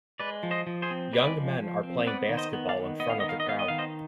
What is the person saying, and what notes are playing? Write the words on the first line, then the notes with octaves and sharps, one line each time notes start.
Young men are playing basketball in front of the crowd.
G#3 B4 D5
F3
C5 D#5
F3
G#4 C5
C4
G#3 B4 D5
F3
F3
C4
B3 B4 D5
D#3
C5 D#5
B3
D5 F5
D#3
B3 D#5
F5
D#3 D#5
F5
D#5
B3 F5
D#5
D#3 F5
C5 D#5